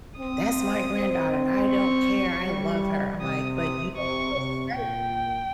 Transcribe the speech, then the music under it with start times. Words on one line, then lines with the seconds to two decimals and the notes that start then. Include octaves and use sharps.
"That's my granddaughter, and I don't care, I love her." I'm like, "But you don't feel safe."
0.18 C4 D#6
0.94 C4
1.70 C#6
2.45 G3
3.20 C3 D#6
3.58 D#6
3.96 C3 C#6
4.34 C3
4.71 A#2 G5